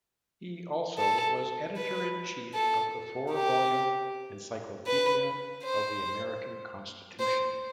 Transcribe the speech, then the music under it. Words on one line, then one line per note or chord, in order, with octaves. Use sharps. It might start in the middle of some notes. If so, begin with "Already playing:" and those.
He also was editor-in-chief of the four-volume "Encyclopaedia of The American Constitution".
A4
B4
A4
G4
B4
C5
C5